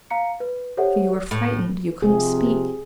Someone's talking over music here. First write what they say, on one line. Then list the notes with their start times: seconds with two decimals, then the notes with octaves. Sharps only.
For you were frightened; you couldn't speak.
0.10 F5 A#5 C#7
0.40 B4
0.77 G4 A4 C5 C#5 E5 F#5
1.31 A2
2.02 C3 F3 G#4